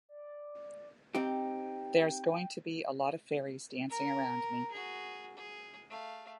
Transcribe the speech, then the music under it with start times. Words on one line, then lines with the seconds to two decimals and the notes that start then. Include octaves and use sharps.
There's going to be a lot of fairies dancing around me.
0.09 D5
1.15 C4 D#4 G4 G5
3.90 A#4 A#5
4.71 F#4 G#4
5.36 G#4
5.90 A3 F5